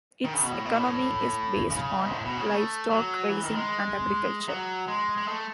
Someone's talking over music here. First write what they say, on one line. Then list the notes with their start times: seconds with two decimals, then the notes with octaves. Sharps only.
Its economy is based on livestock raising and agriculture.
0.25 D#3
0.34 C#3
0.42 B2
0.52 A2
0.65 B2
0.79 A2
1.71 C#3
1.99 G#2
2.10 A2
2.24 B2
2.37 C#3
2.50 A3
2.90 F#3
3.29 E3
3.43 D#3
3.55 G#3
4.48 F#3
4.88 G#3
5.18 G#3
5.28 A3